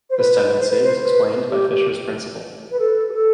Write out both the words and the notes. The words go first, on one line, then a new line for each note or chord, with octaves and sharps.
This tendency is explained by Fisher's principle.
C5
B4
B4
C5
B4
C5
B4
G4
G4
B4
A4
G4
A4